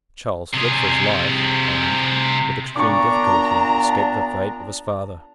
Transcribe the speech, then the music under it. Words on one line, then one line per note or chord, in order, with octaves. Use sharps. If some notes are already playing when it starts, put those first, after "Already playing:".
Charles fled for his life, and, with extreme difficulty, escaped the fate of his father.
C3 G#4
A#2 B3 D4 A#5 C#6 D6